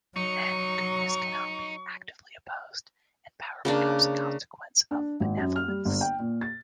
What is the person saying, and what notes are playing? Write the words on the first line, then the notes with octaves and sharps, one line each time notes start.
Then, goodness cannot be actively opposed, and power becomes a consequence of benevolence.
F#3 D#4 C#6
C#3 A#3 D4
D4
G#1
F#2
F6
G3
G1
G5
A#2
A6